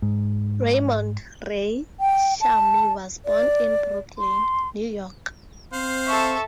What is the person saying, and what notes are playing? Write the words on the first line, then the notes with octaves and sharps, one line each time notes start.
Raymond "Ray" Shamie was born in Brooklyn, New York.
G#2
G5
A5
D5
C6
C4 C5 F5
A4 E5 C#6